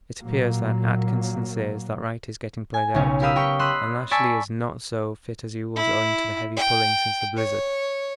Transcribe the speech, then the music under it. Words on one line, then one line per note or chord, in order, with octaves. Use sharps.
It appears that Atkinson says that Wright is getting played out and Lashly is not so fit as he was owing to the heavy pulling since the blizzard.
A#2 F#3 A#3
G#5
B1 C#3 C#4
G4 A#4 F5 B5 D#6 E6
G4 A#4 G5 C#6
D#5 B5 C6 E6 F#6
D5 G#5 A5 B5 C#6 E6
E4
G5
C#5